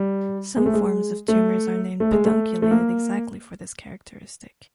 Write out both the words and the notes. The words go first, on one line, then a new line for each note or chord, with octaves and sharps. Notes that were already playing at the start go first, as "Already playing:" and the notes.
Some forms of tumors are named pedunculated exactly for this characteristic.
Already playing: G3
G#3
A3
G#3
A3
A3
G#3
A3
A3
A#3